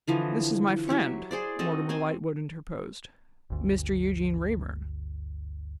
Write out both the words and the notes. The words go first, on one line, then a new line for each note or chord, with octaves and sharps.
'This is my friend,' Mortimer Lightwood interposed; 'Mr Eugene Wrayburn.'
D3 E3 F3 D#5
F#3 E4 G4 C#6
G#4 C5 D5
C4 F#4 A4 D#5
C4 C5 G#5
G1 D2